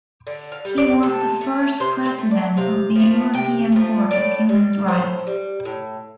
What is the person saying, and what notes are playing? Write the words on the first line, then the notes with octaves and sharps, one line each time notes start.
He was the first President of the European Court of Human Rights.
D3
F5
G3
D5
C3 A4
A3
C3 C5
C5
A3
D5
C3 F5
F3 A3
C3 G5
F3 A3
A2 D5
G3
A2 C5
G3
A2